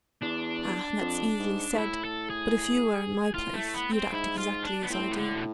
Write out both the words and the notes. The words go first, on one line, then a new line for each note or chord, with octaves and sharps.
"Ah! that's easily said; but if you were in my place, you'd act exactly as I do."
E2 D4
F2
G#2
G#2
A2 E4
A4
G#4
A2 F4
A3
B3
C4
G#2 E4
F4
D4
B3
A2 C4
E3
D3
B2